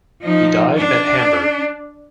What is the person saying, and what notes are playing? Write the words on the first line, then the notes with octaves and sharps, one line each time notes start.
He died at Hamburg.
F3 D#4
D4